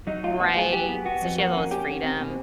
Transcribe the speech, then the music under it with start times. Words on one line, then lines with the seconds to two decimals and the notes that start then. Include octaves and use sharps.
Right. So, she has all this freedom,
0.07 F#3 D#4
0.23 A2 F4
0.39 B3 F#4
0.57 F#3 G#4
0.72 F#3 G4
0.89 B3
1.05 B3 F#4
1.22 F2
1.38 A#3 F#4
1.54 C#4
1.71 C#4 G4
1.88 C#4
2.04 C4
2.20 B2